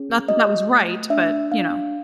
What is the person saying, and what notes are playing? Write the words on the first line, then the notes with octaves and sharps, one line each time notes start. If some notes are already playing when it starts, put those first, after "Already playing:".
Not that that was right, but you know.
Already playing: C#4 G#4
F#4 D#5
A3
D4 E5
D4 F5